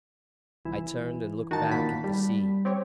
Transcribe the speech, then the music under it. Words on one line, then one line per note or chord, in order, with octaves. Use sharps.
I turned and looked back at the sea.
C2 E3
D#3 F#4 A5
A#2 A#3 B5
G3
C4 G4 C#5